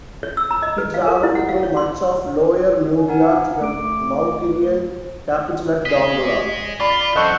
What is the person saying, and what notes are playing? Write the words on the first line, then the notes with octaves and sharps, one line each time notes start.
He traveled through much of Lower Nubia to the Makurian capital at Dongola.
C#5
E6
A#5
D#5
B4
F5
A#4
E4
F#5
F5
C#5
C6
G#5
D#4 A#4 F#5 G#5
A3 D6 D7
B4
G#4 D#5 B6
F4 D5 B5
F#2 E3 A4 C5 D#5 F#5 C#6